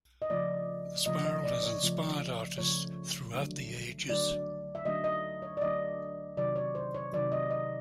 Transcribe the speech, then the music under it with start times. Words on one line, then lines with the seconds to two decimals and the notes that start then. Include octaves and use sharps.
The spiral has inspired artists throughout the ages.
0.22 D#5
0.30 C#3 F3 A3 D5
1.06 C#3 F3 A3 D#5
1.25 D#5
1.44 D5
1.63 C#5
1.82 C#3 F3 A3
2.58 C#3 F3 A3 C#5
3.34 D3 F#3 A3 D4
4.09 D3 F#3 A3 D4 D5
4.75 E5
4.85 D3 F#3 A3 D4 D#5
5.04 D#5
5.42 C#5
5.57 D5
5.61 D3 F#3 A3 D4 D#5
6.37 C3 D#3 F#3 D5
6.56 C#5
6.75 C5
6.94 C#5
7.13 C3 D#3 F#3 D5
7.32 D#5
7.51 D#5